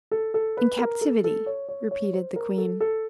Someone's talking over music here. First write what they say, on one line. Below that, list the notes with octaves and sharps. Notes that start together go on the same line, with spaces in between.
"In captivity," repeated the queen.
A4
A4
B4
A#4
A4
A4
C#5
C#5
C#5
C5
A#4
A4
A4